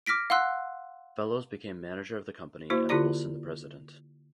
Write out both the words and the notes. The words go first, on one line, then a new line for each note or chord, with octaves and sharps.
Fellows became manager of the company and Woolson the president.
D6 F6 A#6 B6 D7
F5 F#5 C6 E6 F#6
A#3 E4 F#4 C5
D3 E4 F4 G4 D5 A#5